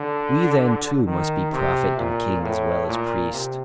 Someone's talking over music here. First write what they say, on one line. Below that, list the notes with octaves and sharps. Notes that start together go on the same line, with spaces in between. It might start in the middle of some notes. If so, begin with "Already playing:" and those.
We then, too, must be prophet and king as well as priest.
Already playing: D3
D#3
C3
A#2
A2
A#2
C3